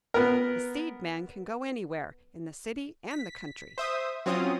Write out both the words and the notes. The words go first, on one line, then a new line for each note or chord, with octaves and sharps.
A seed man can go anywhere, in the city and the country.
B3 A#4
B6
C5 E5 D#6
F#3 C4 C#4 F4 D#6